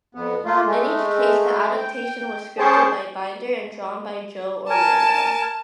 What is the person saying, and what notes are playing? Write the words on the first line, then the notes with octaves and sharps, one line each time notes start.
In each case, the adaptation was scripted by Binder and drawn by Joe Orlando.
F2 B3
A3 A#3 F4
G#3 A3
G5
C#4 G#4 C5 C#5 G5 A5
A#4 G#5 A5